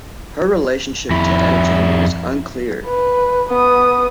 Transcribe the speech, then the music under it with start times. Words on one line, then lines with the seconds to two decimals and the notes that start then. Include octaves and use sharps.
Her relationship to Etugen is unclear.
1.10 F2 E4
2.86 B4
3.49 B3 D#6